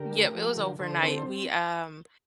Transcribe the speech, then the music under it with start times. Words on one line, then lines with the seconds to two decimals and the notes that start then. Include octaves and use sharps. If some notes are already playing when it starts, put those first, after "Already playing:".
Yep, it was overnight. We, um
Already playing: D3 G4 A#4
0.12 A3
0.35 F3
0.56 D3
0.79 D3 A4 C5
1.02 C4 A4 C5